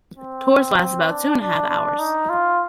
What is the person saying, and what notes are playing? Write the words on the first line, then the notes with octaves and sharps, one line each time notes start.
Tours last about two and a half hours.
C4
D4
D4
D4
D#4
F4